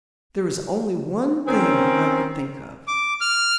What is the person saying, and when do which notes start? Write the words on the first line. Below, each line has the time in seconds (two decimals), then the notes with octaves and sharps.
There was only one thing I could think of.
1.47 D#3 C4 C#4
2.88 D6
3.21 F6